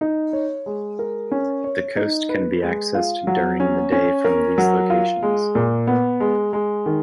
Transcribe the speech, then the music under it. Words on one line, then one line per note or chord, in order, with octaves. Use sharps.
The coast can be accessed during the day from these locations.
D#4
C#5
G#3
A#4
C#4
C#5
D#4
B4
G#3
F4
F#3
C#4
C#4
A#4
F#3
F4
G#3
A#2
B3
G#3
G#3
D#3